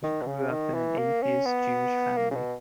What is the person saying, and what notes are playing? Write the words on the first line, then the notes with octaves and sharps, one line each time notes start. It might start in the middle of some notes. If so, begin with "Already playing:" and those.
He grew up in an atheist Jewish family.
D#3
B2
C#3
D#3
E3
A#3
C#4
B3
A#3
C#3
B2